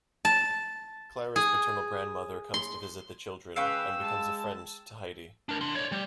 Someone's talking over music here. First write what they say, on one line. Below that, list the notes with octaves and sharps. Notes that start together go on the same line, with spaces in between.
Clara's paternal grandmother comes to visit the children and becomes a friend to Heidi.
A5
G#4
C6
C#3 G#3 B4 F5 G5 C#6 E6
G#3 A5
D4 A#4
D4 C6
C#5 D5
G3